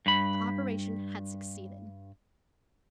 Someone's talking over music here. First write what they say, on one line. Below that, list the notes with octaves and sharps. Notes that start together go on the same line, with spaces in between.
The operation had succeeded.
G2 B5